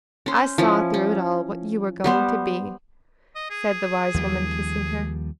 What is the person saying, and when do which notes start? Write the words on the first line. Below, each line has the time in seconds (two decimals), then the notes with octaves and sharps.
"I saw, through it all, what you were going to be," said the wise woman, kissing her.
0.26 C#4 C5
0.58 F3 C#4 E4
0.94 C#4
2.04 G3 B3 C5
3.36 D#5
3.50 G#4
4.14 D#2 F3 G3